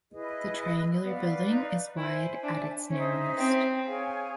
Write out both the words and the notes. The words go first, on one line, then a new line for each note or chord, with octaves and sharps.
The triangular building is wide at its narrowest.
E4 G#4 B4 D#5
B3 B4 D5 F5
D#4
E4 C5 E5 G#5
D4
C#4 D#4 G#4 C5 E5
C4
G#4 C#5 F5 G#5